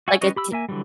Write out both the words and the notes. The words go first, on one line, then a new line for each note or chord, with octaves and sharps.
Like, a t
F#4 E5 G#5
G3 C#4 B4 C#5 D#5
G4 B5 E6
A#3 E5 G#5
D3 E3 F#3 G3